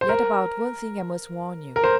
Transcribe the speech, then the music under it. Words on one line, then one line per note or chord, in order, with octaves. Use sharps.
Yet about one thing I must warn you.
C5
A#4
A#4
C5